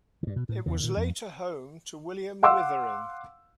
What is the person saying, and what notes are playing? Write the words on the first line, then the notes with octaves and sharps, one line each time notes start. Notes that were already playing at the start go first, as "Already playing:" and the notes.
It was later home to William Withering.
G2 D#3
B2
A2
E2 C#3
A#2 D#3
F2
F5 F#5 C6 D6 E6